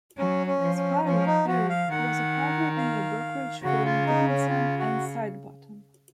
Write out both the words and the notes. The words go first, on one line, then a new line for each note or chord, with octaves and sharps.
His father, Eric, was a partner in the brokerage firm Dickinson and Sidebottom.
F#3 C#4
C#4
F3
C#4
F3 C#4
D#4
F3 F#4
F5
D#3 F#5
F5
C#3 F#4
F4
D#4
C#4
F4
F#4